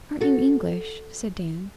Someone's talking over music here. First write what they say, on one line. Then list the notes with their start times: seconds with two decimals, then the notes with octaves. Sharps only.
'Aren't you English?' said Dan.
0.21 F#4 A4